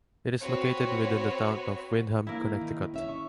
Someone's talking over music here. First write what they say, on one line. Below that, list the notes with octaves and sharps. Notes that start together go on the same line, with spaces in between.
It is located within the town of Windham, Connecticut.
C4 F#4 B4 C#5
A#3 E4
D#3
C#4 E5
C#6